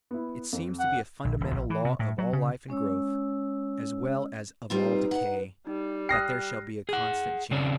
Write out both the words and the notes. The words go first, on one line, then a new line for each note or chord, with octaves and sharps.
It seems to be a fundamental law of all life and growth, as well as of all decay, that there shall be a constant change.
B3 E4
F2
F#5
A#1
D#1
A#1
E3
C3
A2
F#3
C#3
G#3 C#4 C#5 E6
G3 C4 D#4 F4 B4
F#5
G3 D#4
G5 D#6 F6 F#6 A#6 C7
G#4 F#5
C#3 C4 C#4 D5